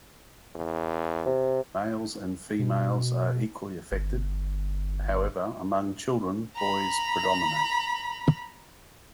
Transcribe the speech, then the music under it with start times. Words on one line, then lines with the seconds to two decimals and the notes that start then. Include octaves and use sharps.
Males and females are equally affected; however, among children, boys predominate.
0.55 E2
1.26 C3
2.59 B2
3.92 G1
6.56 A#5 B5